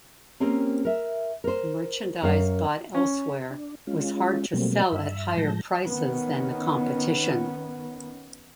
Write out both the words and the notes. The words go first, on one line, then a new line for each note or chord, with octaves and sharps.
Merchandise bought elsewhere was hard to sell at higher prices than the competition.
A#3 C4 C#4 G4 A#4
A#4 E5
A#4 C5
F#2 A#4 F5
C#4
D4
G#3 C#4 F4
B2 F#3 G3 A3 A#3 C4
G2 E5
A2 F3 G#3 A5 G6 A#6
D#3 B3 C#4